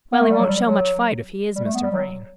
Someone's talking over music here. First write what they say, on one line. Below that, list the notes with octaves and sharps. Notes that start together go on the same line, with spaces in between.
"Well, he won't show much fight if he is Mr. Vrain."
B3
A3
G3
F#3
G3
F#3
G3
A3
B3
G3
F#3